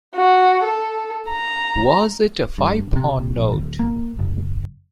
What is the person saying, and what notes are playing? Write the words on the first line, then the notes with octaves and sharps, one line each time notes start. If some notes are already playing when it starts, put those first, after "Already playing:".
Was it a five-pound note?
F#4
A4
A#5
G2
C3
A#1
D1
A#3
F#1